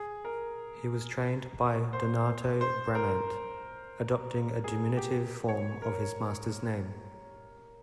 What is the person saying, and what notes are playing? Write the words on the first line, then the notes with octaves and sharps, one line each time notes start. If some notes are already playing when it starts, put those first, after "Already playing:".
He was trained by Donato Bramante, adopting a diminutive form of his master's name.
Already playing: G#4
A#4
C5
C5
A#4
G#4
G4
C#5
A#4